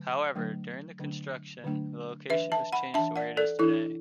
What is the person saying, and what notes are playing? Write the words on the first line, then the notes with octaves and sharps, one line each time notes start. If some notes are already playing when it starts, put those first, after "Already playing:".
However, during the construction, the location was changed to where it is today.
Already playing: D3 F#3 A3
D3 F#3 A3 D4
D3 F#3 A3 D4
D3 F#3 A3 D4
E3 D4 B4 E5
E5 A5
F#5 B5
E3 D4 E5 A5
D5 F#5
A4 D5
E3 D4 E4 A4